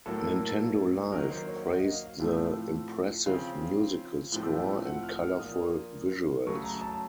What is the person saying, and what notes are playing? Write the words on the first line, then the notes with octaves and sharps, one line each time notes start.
Nintendo Life praised the "impressive" musical score and "colorful" visuals.
A2 F#3 A#3 A4
D#3 F#3 A#3 A#4
C5
C#5
F#5
D#5
F5
F5
A2 F3 A3 C4 F5
C#3 F3 C4 F5
A2 F3 A3 C4
F#5
F6
F6
A#2 F3 A#3 D#6
C#3 F#3 A3 C#6
A#5
A5